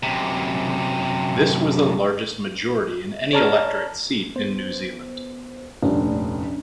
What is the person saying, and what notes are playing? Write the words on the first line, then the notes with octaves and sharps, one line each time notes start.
This was the largest majority in any electorate seat in New Zealand.
F#2 C3
C#5 D5 A5 A#5 F6
B3 C5
F1 A#1 G2 A3 C#4 D4